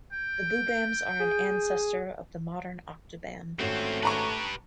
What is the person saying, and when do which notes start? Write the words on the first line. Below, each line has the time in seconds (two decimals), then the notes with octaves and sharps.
The boobams are an ancestor of the modern octoban.
0.13 G5
1.20 G#4
3.59 G#1 F2 A3 C4 C#4 F#4
4.03 G4 B4 A5 A#5 C#6